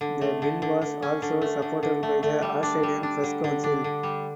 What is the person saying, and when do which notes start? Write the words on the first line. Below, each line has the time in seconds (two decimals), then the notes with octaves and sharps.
The bill was also supported by the Australian Press Council.
0.01 D3
0.21 A3
0.42 D3
0.62 D3
0.82 D3
1.02 C#4
1.22 D3
1.42 A3
1.62 D3
1.83 D3
2.03 A3
2.23 A3
2.42 G3
2.63 D4
2.83 G3
3.03 D4
3.24 D3
3.44 D3
3.64 D4
3.84 D3
4.03 G3